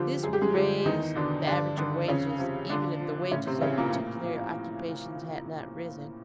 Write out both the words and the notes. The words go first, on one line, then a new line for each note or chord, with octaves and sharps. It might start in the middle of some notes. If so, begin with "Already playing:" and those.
This would raise the average of wages even if the wages of particular occupations had not risen.
Already playing: D3 F3 G3 G4
F#2 G#4
G4
G#3 G#4
D3 F3 G3 G4
E2 D#3 D#4
B2 D3 D4
G2 D3 D4
D3 D#3 D4
F2 C#3 C#4
C3 F3
A#2 D3 D4
F3
A2 C#3 C#4
C3 C4
C#3 E3 C#4
A#2 A#3
A2
F3